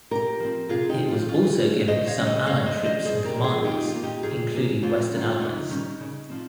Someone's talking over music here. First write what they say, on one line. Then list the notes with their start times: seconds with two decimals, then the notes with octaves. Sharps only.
It was also given to some allied troops and commanders, including western allies.
0.11 C3 G4 A#4
0.40 F3 C4
0.69 C3 F4 G#4
0.89 D#4 G4
0.99 F3 C4
1.08 F4
1.28 C#3 F4
1.58 G3 C#4
1.88 C#3 C5 D#5
2.07 C#5 F5
2.18 G3 C#4
2.26 C5 D#5
2.46 G2 C#5 F5
2.66 C5 D#5
2.76 F3 G#3
2.85 C5 D#5
3.05 G2 G#4 C5
3.25 G4 A#4
3.35 F3 G#3
3.44 F4 G#4
3.64 F2 D#4 G4
3.84 F4
3.93 D#3 A#3
4.03 D#4 G4
4.23 F2 F4 G#4
4.52 D#3 A#3
4.82 F2 F4
5.11 D#3 G3 C#4
5.21 F4
5.41 F2 D#4
5.70 D#3 G3 C#4
6.00 C#3
6.30 F3 C4